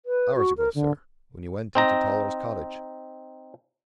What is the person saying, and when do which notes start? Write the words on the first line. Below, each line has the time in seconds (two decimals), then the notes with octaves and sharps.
"Hours ago, sir--when you went into Toller's cottage."
0.06 B4
0.36 F#4
0.58 A#4
0.75 D3
1.75 C4 D#4 A#5